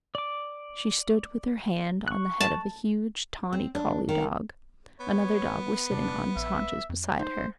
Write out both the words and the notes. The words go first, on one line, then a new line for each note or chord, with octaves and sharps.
She stood with her hand on the head of a huge, tawny collie dog; another dog was sitting on his haunches beside her.
D5 D6
C#6 F#6
A5
C4
D4
D#3
B3 C#5
C3 D4
A#1 E5
F2
D#4 C5